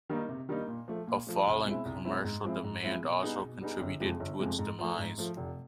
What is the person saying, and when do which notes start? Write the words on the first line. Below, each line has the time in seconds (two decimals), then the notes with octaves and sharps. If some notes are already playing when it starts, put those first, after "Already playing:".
A fall in commercial demand also contributed to its demise.
0.09 D#3 G3 A#3 D#4
0.29 C3
0.49 D#3 G3 A#3 D#4
0.68 A#2
0.88 F3 A3
1.07 A#2
1.27 F3 A3
1.46 C2
1.65 B2 G#3 C4 E4
1.85 C2
2.05 B2 G#3 C4 E4
2.24 G#2
2.44 F3 G#3 C4 E4
2.64 G#2
2.83 F3 G#3 C4 E4
3.03 B2
3.23 G3 B3 D#4 G#4
3.42 B2
3.61 G3 B3 D#4 G#4
3.81 G1
4.00 F2 C3 F3 G#3
4.20 G1
4.40 F2 C3 F3 G#3
4.59 G#2
4.79 F3 A3
4.98 G#2
5.18 F3 A3
5.37 F1